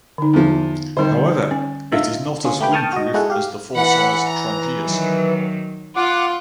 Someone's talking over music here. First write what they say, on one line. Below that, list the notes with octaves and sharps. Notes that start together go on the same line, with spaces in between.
However, it is not as windproof as the full-size Trangias.
D3 D#4
E2 F3
D3 D#3 G3 C5
C#4
D4 D#4 F4 E5
D3 C#4 F4
A3 G4 B4 G5
G5 A5 C#6 D#6 F6
F#4 D#5
G#3 E4 F#4 G#4 A4 F#5
G4 F5
E3 F#5 B5
A#5
D#3 F#3
F4 F#5 D6